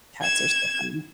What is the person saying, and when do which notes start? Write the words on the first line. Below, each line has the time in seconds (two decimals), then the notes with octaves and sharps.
Cats are so funny.
0.22 G#6 E7